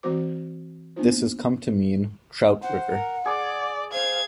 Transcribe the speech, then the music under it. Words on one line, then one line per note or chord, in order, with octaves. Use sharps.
This has come to mean "trout river".
E3 G#3 C4 F#4 C5 D6
A#3 B3 D4 D#4 F4 C5
C5 F#5
A#4
G#4 D5 D6
C5 F5 G#6